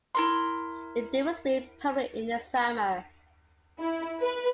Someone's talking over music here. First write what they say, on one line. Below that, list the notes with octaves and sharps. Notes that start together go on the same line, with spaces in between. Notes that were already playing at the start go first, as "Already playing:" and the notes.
The deal was made permanent in the summer.
E4 A#4 C6
E4
B4